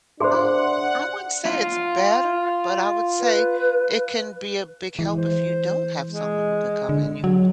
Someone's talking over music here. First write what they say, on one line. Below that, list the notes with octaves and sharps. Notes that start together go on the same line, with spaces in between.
Well, I wouldn't say it's better, but I would say it can be a big help if you don't have someone who can come in. You
D4 G#4 C5 E5 F#5 C6
F4
B4
E3 G#3
C5
G#3
D3
F#3